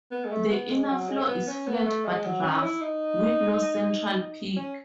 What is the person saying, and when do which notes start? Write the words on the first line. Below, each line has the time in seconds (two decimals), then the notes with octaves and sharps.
The inner floor is flat but rough, with no central peak.
0.11 B3
0.25 G#3
0.32 A3
0.50 B3
0.70 G#3
0.89 F#3
1.08 G#3
1.20 C#4
1.28 B3
1.48 C#4
1.67 B3
1.86 A3
2.05 G#3
2.25 F#3
2.44 C#4
2.63 E4
2.82 D#4
4.56 C#4